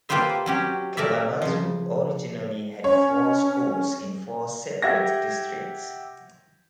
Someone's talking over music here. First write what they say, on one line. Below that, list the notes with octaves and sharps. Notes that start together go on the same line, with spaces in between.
Kalamazoo originally had four schools in four separate districts.
A#3 F4 G4 B4 C5 E5
F#3 C#4 G4
A3 A#4 D5 E5
C#3 F3
C#4 C#5
G4 E5 F#5 G#6 A#6